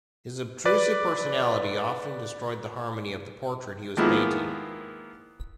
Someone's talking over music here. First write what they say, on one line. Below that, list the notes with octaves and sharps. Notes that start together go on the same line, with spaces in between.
His obtrusive personality often destroyed the harmony of the portrait he was painting.
B4 D5
D#3 F3 G#3 A#3 B3 E4